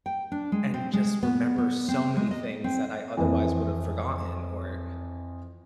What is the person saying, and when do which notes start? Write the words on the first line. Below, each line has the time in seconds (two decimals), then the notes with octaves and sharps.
and just remember so many things that I otherwise would have forgotten or
0.06 G5
0.32 D4
0.52 G#3
0.74 C4
0.93 G#3
1.23 B3
1.58 B3
1.88 C4
2.17 G#3
2.31 D#5
2.64 C4
3.17 F2 E3